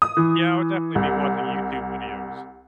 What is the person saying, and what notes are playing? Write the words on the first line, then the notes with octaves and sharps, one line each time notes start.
Yeah, I would definitely be watching YouTube videos.
D#6
E3
C2